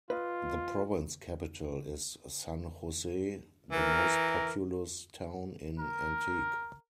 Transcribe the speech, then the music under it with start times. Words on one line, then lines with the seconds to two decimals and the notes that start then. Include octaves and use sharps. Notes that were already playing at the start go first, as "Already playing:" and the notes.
The province capital is San Jose, the most populous town in Antique.
0.10 F4 B4 D#5 F5
3.72 E3 A#4
5.78 A#4